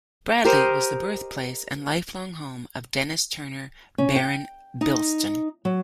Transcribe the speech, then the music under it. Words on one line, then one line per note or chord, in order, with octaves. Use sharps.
Bradley was the birthplace and lifelong home of Dennis Turner, Baron Bilston.
G4 A#4 C5 D#5
C#4
G5
D#4
F#3